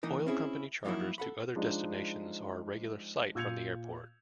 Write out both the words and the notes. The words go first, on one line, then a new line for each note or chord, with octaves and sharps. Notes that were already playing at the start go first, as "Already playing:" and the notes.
Oil company charters to other destinations are a regular sight from the airport.
E3 A#3 D#4 A#4
C4 C#4 E4 G#4
F3 F#3 A#3 D#4 E4
A4 F#5 B5
F3 G#3 D4 D#4
A#2 E6 G6 G#6 C#7 F7